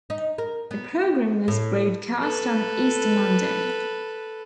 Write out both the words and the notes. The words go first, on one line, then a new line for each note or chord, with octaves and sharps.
The programme was broadcast on Easter Monday.
D#4
A#4
B3
A2
A4 B4